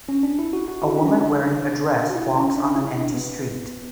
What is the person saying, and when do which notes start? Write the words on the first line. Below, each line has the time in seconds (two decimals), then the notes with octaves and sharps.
A woman wearing a dress walks on an empty street.
0.09 C#4
0.23 D4
0.39 E4
0.53 F#4
0.68 F#4
0.82 E4
0.97 D4
1.06 C#4
1.15 D4
2.10 F#4
2.15 E4
2.35 C#4
2.55 D4
2.75 E4
2.85 E4
2.94 D4
3.14 B3